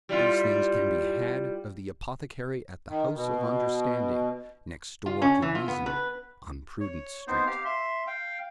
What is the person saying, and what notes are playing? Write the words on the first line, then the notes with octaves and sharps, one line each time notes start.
These things can be had of the apothecary at the house of Understanding next door to Reason, on Prudent street.
G3 E4 F4
D#3
B2
F4
C#4
E3
F4
B3
B4
C#5
B3 C4 D#4 C5
G4 F5 F6
E5 C6
F5 G5